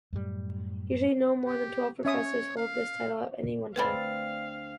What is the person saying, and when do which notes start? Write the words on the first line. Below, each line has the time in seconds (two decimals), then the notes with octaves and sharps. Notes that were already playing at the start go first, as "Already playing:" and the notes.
Usually no more than twelve professors hold this title at any one time.
0.13 F#2 A2 G3
1.46 G4
2.05 C#4 C#5 E5 D#6
2.57 F5
3.76 D2 C4 B4 D5 F5 B5